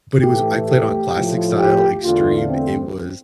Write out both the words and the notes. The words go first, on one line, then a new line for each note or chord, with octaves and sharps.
but it was I played on classic style extreme, it was
A2 E3 A3 G4
G4
A2 F3 A3
G4
E2 D3 A3 F4
C4